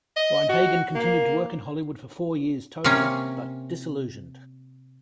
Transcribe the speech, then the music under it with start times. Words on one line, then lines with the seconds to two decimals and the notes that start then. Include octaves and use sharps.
Rein-Hagen continued to work in Hollywood for four years total, but disillusioned.
0.16 D#5
0.49 F#4
0.95 A#3
2.84 C3 A#3 C#4